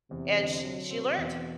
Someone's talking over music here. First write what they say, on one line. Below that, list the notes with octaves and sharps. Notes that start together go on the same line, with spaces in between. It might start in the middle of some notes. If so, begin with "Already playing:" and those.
And sh she learned.
E2 C3
D3
F#3
B2 C4
E2